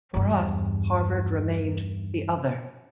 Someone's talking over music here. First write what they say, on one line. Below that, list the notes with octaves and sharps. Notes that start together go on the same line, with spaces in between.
For us, Harvard remained 'the other.
E2 G2